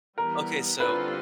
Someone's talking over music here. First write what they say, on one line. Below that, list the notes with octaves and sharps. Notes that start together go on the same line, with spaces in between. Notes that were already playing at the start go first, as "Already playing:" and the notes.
Okay, so,
E3 G3 B3 A#4
D3 G3 C4 F4 A4 B4